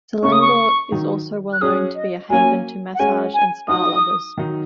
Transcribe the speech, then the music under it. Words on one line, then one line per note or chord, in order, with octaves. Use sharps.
Selangor is also well known to be a haven to massage and spa lovers.
C#3 A#3 C#4 C#6
D#6
C#6
D#3 F#3 D#4
F#6
F#3 C#4 G#4 D#6
D#5
F#3 A#3 C#4 G#5
F#5
G#3 C#4 F#4 G#5
G#5
F#3 D#4 F#4 D#6
D#3 F#3 D#4